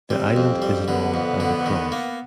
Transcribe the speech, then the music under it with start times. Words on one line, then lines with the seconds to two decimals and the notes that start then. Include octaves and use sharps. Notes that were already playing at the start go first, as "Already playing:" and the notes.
The island is long and across.
0.10 G3 C4
0.36 F2
0.62 G3
0.88 D3 B3
1.14 F2
1.40 D3
1.66 D#3
1.92 A#3